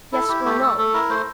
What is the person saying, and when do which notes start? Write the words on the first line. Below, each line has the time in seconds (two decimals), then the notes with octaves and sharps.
Yes or No?'
0.13 E4 A4
0.28 E4 G4
0.45 A3 G4
0.61 A3 A4
0.78 A3 A4
0.94 E4 A#4
1.09 A3 C5